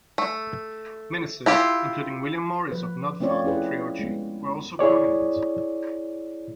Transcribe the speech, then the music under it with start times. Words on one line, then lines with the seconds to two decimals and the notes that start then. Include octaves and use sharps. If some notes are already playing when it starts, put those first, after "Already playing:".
Ministers, including William Morris of Noddfa, Treorchy were also prominent.
0.18 A3
1.46 E4 F4 G4
2.72 F3 B4
3.20 A3 C4 C#4 F4 C#5 D5
3.45 C#4 E4 G#4 B4
3.99 G#3 B3
4.79 E4 G#4 C#5 D5